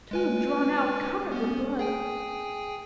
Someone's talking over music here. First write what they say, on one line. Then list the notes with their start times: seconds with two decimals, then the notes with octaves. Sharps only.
Tube drawn out covered with blood.
0.11 G#3 B4 G#5
1.32 B3 C#4
1.79 G#4 G5 G#5